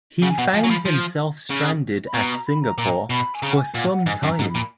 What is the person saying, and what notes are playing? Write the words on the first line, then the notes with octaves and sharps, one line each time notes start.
He found himself stranded at Singapore for some time.
C#3 F#5
G#5
B2 F#5
F3 G#5
F#3
F3 B5
F3
C#3
B5
B2 A#5
A#5
B5
A#5
A#2 A#5
B2 B5
G#5
C#3 A#5
F#5
G#5
A#2 F#5
F#5
G#2 G#5
F#2
A#5
G#2
B5
A#2